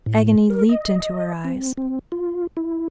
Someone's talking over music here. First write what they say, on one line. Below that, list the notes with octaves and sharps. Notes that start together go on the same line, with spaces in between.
Agony leaped into her eyes.
A2
A#4
D#5
C4
C4
F4
E4